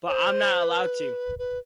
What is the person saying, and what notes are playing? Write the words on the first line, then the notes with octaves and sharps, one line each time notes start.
But I'm not allowed to.
C#5
C5
B4
B4